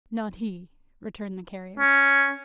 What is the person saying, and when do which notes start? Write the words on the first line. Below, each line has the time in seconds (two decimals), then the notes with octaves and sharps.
"Not he," returned the Carrier.
1.79 C#4